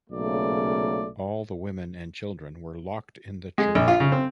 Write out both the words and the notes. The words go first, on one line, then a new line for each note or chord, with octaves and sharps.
All the women and children were locked in the church.
B1 A#2 C#3 A3 A#3 D5
G#3
A#1
F4
C#3
C4